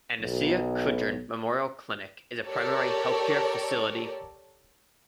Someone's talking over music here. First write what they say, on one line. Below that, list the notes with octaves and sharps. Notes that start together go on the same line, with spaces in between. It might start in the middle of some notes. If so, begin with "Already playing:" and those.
Anesia Kudrin Memorial Clinic is a Primary Health Care facility.
B1
G4 A4 A#4 C#5 D5